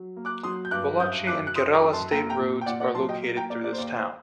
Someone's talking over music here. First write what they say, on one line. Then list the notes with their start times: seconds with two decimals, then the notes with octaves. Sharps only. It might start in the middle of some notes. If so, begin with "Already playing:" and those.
Pollachi and Kerala State Roads are located through this town.
Already playing: F#3
0.16 A#3
0.25 D6 F#6
0.43 F#3 C6 D#6
0.65 G6
0.71 G2 D6 F#6
1.00 F#2 D#6 G6
1.27 F#2 D6 F#6
1.47 F#6
1.56 F#2 C6 D#6
1.74 A#5 D6
1.84 F#2
1.93 A5 C6
2.11 A#3 G5 A#5
2.30 G5 A#5
2.39 A#2
2.61 G5
2.66 A#2 D5 F#5
2.80 D5 F#5
2.95 F#3 A5 C6
3.09 D#5 G5
3.22 A#3
3.37 G5 A#5
3.50 A#3 D5
3.64 D5
3.72 C5
3.78 D#2 D5
3.97 C5